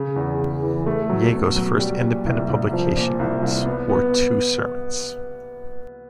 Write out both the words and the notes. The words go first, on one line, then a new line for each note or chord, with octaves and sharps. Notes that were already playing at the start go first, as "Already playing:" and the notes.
Jago's first independent publications were two sermons.
Already playing: C#3
E2
C#3
E3
A3
F#3
B2
F#3
G3
A#2
C2
C2
F3
A#2
C2
C2
B3
B3